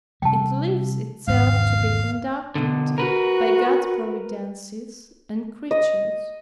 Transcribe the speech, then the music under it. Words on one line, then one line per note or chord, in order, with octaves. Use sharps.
It leaves itself to be conducted by God's providences and creatures.
C3 E3 G3 G5 A5
G#1 E2 G#2 C#3 F5
B2 D3
F#4 A#4 B4
D#5